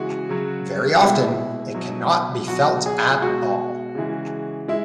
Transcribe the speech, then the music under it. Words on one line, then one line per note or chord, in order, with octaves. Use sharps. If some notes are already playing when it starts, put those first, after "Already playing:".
Very often it cannot be felt at all.
Already playing: C#3 E3 G#3 F#4
C#3 F#3
B2 G#3 E4
B2 F#3
B2 F#3 F#4
G#4
G#4
B2 G#3 F#4
C#3 E3 G#3
G#3 E4